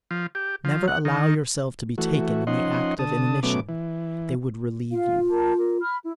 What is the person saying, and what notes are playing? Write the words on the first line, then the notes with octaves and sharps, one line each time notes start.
Never allow yourself to be taken in the act of inanition. They would relieve you.
F3
G4
F3
F#5
D#3
E3 A3 F#4
F3 C#4 D#4 D#5 F#5 C6
D3 A5 D#6
B2 F#3 A3 B3 C#4 D6
E3
F4 F5
A#4 A5
A#4
B5 F6
E4